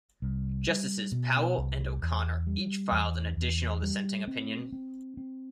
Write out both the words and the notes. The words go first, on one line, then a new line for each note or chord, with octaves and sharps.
Justices Powell and O'Connor each filed an additional dissenting opinion.
C2
G3
B2
C2
E2
G3
E2
E2
G3
C4
C4
C4